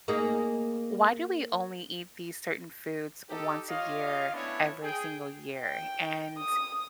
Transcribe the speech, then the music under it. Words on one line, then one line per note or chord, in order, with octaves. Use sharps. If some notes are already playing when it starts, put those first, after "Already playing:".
why do we only eat these certain foods once a year, every single year? And
A#3 D#4 G#4
D#4 G4 A4
F4 G4 C#5 D#5 F5
A3 B3 C#4 D4 E4 C#5
G#4 G5
G5
D#6